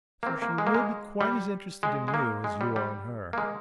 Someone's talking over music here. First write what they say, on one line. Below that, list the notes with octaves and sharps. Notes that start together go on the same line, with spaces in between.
So she will be quite as interested in you as you are in her.
A#3
C4
A#3
G#3
A#3
G#3
G3
G#3
G#3
A#3
G#3
G3
G3
A#3
G#3